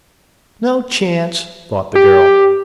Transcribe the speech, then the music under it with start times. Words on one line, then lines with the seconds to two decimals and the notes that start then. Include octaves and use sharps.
"No chance," thought the girl.
1.95 G4